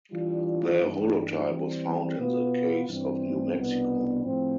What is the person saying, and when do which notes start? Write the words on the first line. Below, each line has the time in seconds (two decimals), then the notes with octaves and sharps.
The holotype was found in the caves of New Mexico.
0.12 E3 G3 D4 F4
0.80 G2 E3 G3 D4
1.50 E3 G3 C4
2.18 B2 B3 F4 B4
2.88 G2 E3 G3 C4
3.57 C2 B2 B3 D4
4.25 A2 F3 C4